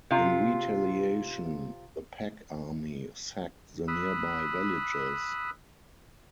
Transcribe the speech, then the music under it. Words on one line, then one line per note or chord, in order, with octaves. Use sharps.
In retaliation, the Pak army sacked the nearby villages.
C3 F4
B5 D#6 E6 F#6